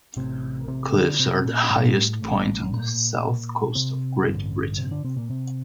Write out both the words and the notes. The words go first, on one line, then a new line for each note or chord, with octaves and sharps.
The cliffs are the highest point on the south coast of Great Britain.
A1 A2 C3 C4
C3 C4
D3 D4
C3 C4
A#2 A#3
A2 A3
A1 A2
A#2 A#3
C3 C4
A1 G2 D3
C3 C4
D3 D4
C3 C4
A#2 A#3
C3 C4